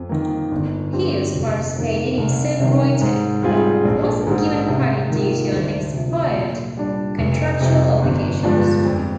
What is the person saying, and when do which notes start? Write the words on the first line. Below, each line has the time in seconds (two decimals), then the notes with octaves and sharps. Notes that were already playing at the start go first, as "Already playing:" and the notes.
Hughes participated in song-writing, but wasn't given credit due to unexpired contractual obligations.
Already playing: F2
0.09 D#3 A#3
0.51 G1
0.93 G2 F3 C4 G4
1.34 F1
1.76 F2 D#3 A#3
2.18 C2
2.60 C3 D#3
3.01 G#2
3.43 G3 C4 F4 G#4
3.85 A#1
4.27 G#2 D#3
4.68 C3
5.10 D#3 A#3 F4
5.52 D2
5.94 C3 F3
6.35 A#2
6.77 G3 D4
7.18 F1
7.61 F2 C3
8.02 G1
8.43 G2 F3 G#3 D4
8.85 F2